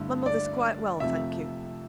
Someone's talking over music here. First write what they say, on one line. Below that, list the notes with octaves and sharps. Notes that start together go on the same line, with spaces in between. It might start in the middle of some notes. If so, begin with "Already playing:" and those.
My mother's quite well, thank you.
Already playing: G2 D3 A3 E4
D5
F2 C3 F3 A3 E5